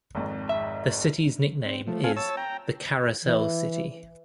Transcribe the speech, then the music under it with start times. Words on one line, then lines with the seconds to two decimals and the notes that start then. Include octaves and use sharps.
The city's nickname is "The Carousel City".
0.15 G#1 F2 G#2
0.49 E5
1.65 C4
1.88 F3 A3
2.04 C4 F4 A4 F5 G#5
2.16 C#5 A5 E6
2.37 G5 A#5
3.23 E3